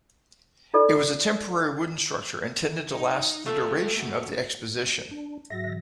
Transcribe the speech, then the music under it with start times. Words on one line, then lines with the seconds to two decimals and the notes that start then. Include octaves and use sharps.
It was a temporary wooden structure intended to last the duration of the Exposition.
0.74 D#4 F4 A4 D5
2.91 D#4
3.46 A3 F4 A4
3.97 A#3 F#4
5.11 D4
5.50 G#2 F#3 F#4 E5 A#6
5.64 D3 E3